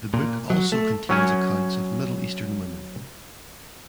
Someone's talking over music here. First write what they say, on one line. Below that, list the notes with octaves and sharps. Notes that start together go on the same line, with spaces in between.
The book also contains accounts of middle eastern women.
A#2
F#3
A3
F#3 C#4 G#5